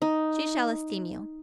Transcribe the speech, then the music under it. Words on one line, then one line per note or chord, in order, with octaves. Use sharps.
She shall esteem you.
D#4